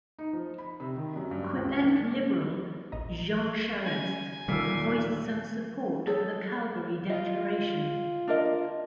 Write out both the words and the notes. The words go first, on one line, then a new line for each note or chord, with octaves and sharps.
Quebec Liberal Jean Charest voiced some support for the Calgary Declaration.
D#4
F3
B5
C3
D#3
F#2
G2
C#2
D4
A#1 D#5 A#5
C#4 G#5
D#2 A#2 E3 G3 A4 E6
G#4 A4 C#5
F4 D#5
D4 A#4 D#5